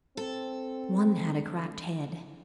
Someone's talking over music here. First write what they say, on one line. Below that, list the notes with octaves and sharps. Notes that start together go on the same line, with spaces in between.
One had a cracked head.
C4 A4